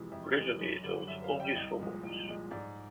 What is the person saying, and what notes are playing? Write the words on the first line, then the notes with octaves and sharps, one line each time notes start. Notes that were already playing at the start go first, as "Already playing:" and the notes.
Originally it was only for boys.
Already playing: F2 C3 E3 G#3
F2 E5
C3 E3 G#3
F#2
D3 G3
F#2 E5
F5
D3 G3
G5
C2 D#5
A#2 F3 G#3
C2
A#2 F3 G#3
G#2 D5